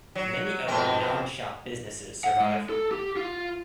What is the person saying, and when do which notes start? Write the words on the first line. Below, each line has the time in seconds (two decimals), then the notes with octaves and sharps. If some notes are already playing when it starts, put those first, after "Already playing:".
Many other non-shop businesses survive.
0.15 F#3
0.68 F2 B2 C4
2.24 F#5
2.40 G#3
2.69 A4
2.92 G4
3.16 F4